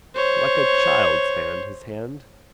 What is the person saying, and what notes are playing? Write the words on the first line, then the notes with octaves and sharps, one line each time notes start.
Like a child's hand, his hand.
C5 C#5